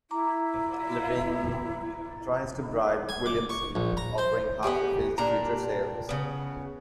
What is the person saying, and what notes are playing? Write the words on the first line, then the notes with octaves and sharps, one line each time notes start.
Levene tries to bribe Williamson, offering half of his future sales.
E4 A#5 D6
G#5
D6
C#6
A#1
A#5
C5
B3 D#4 G4 G#4
A#2 D4 G4 A#5
C#3 B3